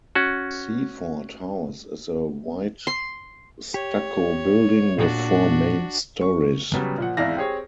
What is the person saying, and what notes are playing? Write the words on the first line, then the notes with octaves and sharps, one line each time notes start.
Seaford House is a white stucco building with four main stories.
C#4 F#4
C6
G4 C#5
A#2 D4 F#4
C#6
C#3 F#3 G3 B3
A#2 F3 F#5
G#1 E2 E4 D5 F5 A#6
C4 G4 G#4 C#5